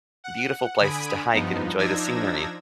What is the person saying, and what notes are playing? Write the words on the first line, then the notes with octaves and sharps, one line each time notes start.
beautiful places to hike and enjoy the scenery,
F#5
D3 G#5 B5 D#6 D7
G2 F3 B3 D#4
F3 D4 D#4 E6 G#6 A#6